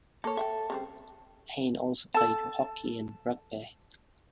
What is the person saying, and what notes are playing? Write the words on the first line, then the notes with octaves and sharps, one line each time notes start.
Heyn also played hockey and rugby.
A#3 A4 C#5
E5 F#5 G5
C#3 G3 C4
A4 A5